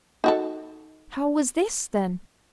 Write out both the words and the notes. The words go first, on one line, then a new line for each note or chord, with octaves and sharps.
How was this, then?
D#4 F#4 A4